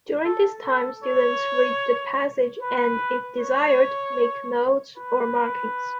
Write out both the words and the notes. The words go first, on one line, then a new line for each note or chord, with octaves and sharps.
During this time, students read the passage and, if desired, make notes or markings.
A4
A4
C#5
B4
C#5
B4